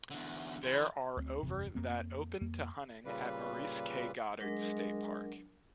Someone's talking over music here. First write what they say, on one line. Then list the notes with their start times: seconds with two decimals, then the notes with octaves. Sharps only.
There are over that open to hunting at Maurice K. Goddard State Park.
0.10 E2 D3
0.64 E3 C5
1.17 D2 C4
1.43 F#1 E2 C3
1.75 F2 A#3 C4
2.41 F2 A#3
3.05 A#2 C#3 G3 B4
4.40 F#3 G#3 D4 A#4